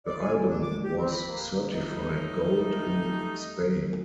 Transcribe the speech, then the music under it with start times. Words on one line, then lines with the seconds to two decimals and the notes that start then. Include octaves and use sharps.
The album was certified Gold in Spain.
0.06 D5
0.21 G#5
0.35 A#2
0.49 D4
0.62 D6
0.84 G4
0.97 C4
1.11 B5
1.27 A#3
1.71 G3 A3 D#4